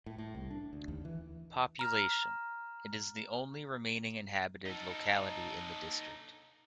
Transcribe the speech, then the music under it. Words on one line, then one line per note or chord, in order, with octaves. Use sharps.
Population: It is the only remaining inhabited locality in the district.
A2
A2
C2
D4
D2
D#2
E3
A#5 F6
D#4 A4